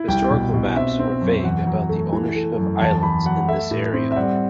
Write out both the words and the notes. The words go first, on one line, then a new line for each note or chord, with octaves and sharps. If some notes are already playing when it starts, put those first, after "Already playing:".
Historical maps are vague about the ownership of islands in this area.
Already playing: E4
C2 G5
B2
B2
C4 E5
C4
F#2
E2 F#5
F#3
A3
E3
A3
F#2
E2 A5
A5
E2 B5
F#3 F#5
A3 E5
A2
C4
E5
G3 F#5